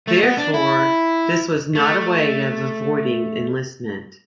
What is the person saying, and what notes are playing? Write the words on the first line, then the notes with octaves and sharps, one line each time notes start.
Therefore, this was not a way of avoiding enlistment.
A3
B3
D4
E4
A3